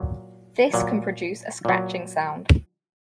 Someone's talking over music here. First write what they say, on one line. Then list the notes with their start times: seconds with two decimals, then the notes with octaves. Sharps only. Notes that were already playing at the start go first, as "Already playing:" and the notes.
This can produce a scratching sound.
Already playing: A#2 F#3
0.74 A#2 F#3
1.65 A#2 F#3